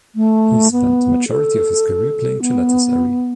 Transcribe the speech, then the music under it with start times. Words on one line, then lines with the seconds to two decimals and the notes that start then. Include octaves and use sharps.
He spent majority of his career playing at Galatasaray.
0.15 A3
0.72 B3
1.28 A4
2.41 B3